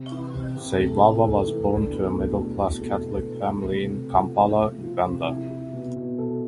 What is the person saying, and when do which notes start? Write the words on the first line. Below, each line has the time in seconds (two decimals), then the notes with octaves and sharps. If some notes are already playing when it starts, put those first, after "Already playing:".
Sey Wava was born to a middle-class Catholic family in Kampala, Uganda.
Already playing: C3
0.12 E3
0.34 C3
0.57 C3
0.79 A3
1.01 A3
1.23 A3
1.47 E3
1.68 D4
1.91 B2
2.14 A3
2.36 A3
2.59 B2
2.81 A3
3.03 B2
3.26 B2
3.49 A3
3.71 C3
3.93 C3
4.17 F3
4.39 E4
4.61 A3
4.83 F3
5.06 C3
5.28 E4
5.50 E4
5.73 B2
5.96 B2
6.18 A4